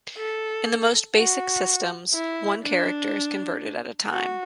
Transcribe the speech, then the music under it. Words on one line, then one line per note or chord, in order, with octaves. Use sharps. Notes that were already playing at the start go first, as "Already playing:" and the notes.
In the most basic systems, one character is converted at a time.
A4
F#4
E4
D4
F#4